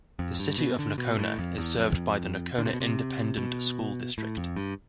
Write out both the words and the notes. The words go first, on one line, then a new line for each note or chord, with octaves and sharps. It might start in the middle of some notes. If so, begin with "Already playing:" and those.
The City of Nocona is served by the Nocona Independent School District.
F2
G2
B2
D3
B2
A2
F2
E2
F2
D3
C3
B2
C3
B2
A2
F2
G2